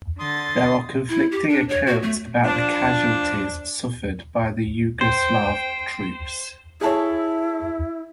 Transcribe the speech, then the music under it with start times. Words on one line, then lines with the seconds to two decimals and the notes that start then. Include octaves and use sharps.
There are conflicting accounts about the casualties suffered by the Yugoslav troops.
0.19 D3 C6 D#6 A6
1.09 E4
1.32 G4
1.48 D4
1.69 C#5
1.87 F#4
2.03 A3
2.45 F3 D4
5.01 C5 G5
6.81 E4 G#4 A4 C#5